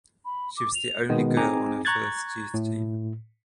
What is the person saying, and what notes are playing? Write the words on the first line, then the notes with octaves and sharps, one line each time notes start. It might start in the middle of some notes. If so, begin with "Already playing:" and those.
She was the only girl on her first youth team.
B5
D6
F7
B2 D#3 G#3 B3
C4 D#4 G#4 G#5 A#5 D6
A#5 C#6 F#6 G#6 A6
A2